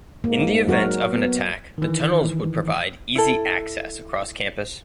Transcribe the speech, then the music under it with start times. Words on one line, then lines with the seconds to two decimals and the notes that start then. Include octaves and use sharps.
In the event of an attack, the tunnels would provide easy access across campus.
0.24 G#2 A#3
0.68 F#3 F#4 A#4
1.11 B3
1.78 D#3 E3
3.15 E4 A4